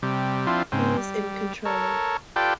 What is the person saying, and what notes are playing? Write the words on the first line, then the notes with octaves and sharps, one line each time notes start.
He is in control.
C3 G3
F3 C4 D4 E4 F4
G#2 C#3 C4
G3
A4 A#4 C#5
F4 G4 A4 B4 D5 G5